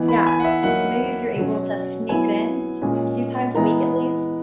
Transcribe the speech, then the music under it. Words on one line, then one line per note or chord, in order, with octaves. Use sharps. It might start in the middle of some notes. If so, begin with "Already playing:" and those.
yeah, so maybe if you're able to sneak it in a few times a week at least.
Already playing: E3 B3 D#4
B5
G#5
F#5
E5
F#3 A#3 D#4 F#5
B2 F#3 C#4
F#3 B3 E4 G#5
A#2 G#3 C#4
E3 G#3 B3 E4 A#5